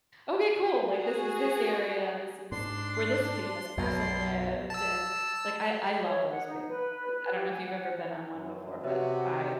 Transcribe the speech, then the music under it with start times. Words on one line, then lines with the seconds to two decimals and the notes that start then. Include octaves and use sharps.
"Okay. Cool. Like, this is this area. This is where this famous person lived." And, like, I I love those big busses. I don't know if you've ever been on one before, but I
0.88 F#4 G#4
2.52 G#2 D4 C6
3.77 B1 F#2 B2
4.70 A5 E6
6.01 C#5
6.30 F#5
6.46 D#4
6.68 B4
7.35 G4
7.49 G#5
7.65 F#5
8.33 F#2
8.84 C3 F#4 B4 C#5 E5